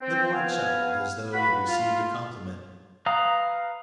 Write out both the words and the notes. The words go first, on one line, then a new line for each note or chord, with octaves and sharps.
The boy chuckled as though he had received a compliment.
C4
B3 F5 G#5
F4 F#4 B4 F#5 B5
F4
B4 F5 A#5 D#6